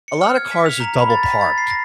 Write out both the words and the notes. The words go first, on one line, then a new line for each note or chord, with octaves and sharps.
A lotta cars are double-parked.
C#7
F6
G#6
B6
F7
A#5
B5
A6
B6
A6
C7
A#6